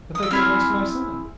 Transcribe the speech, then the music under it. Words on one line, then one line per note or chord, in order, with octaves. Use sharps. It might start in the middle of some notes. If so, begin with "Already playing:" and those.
"But they can arrest my son."
D#6
E6
C4 E4 G#4 F6